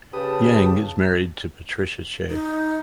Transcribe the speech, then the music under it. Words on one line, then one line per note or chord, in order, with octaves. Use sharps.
Yang is married to Patricia Che.
C#3 G4 B4 A5 D#6
D#4